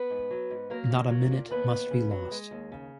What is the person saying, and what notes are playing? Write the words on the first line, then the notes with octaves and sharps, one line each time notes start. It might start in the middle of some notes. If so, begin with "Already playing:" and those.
Not a minute must be lost.
Already playing: B3 B4
G#2
F#3
G#2
F#3 A#3 A#4
A#2
F#3
A#2
D#2 B3 B4
D#2
C#3
F#3
G#3
D#2
C#3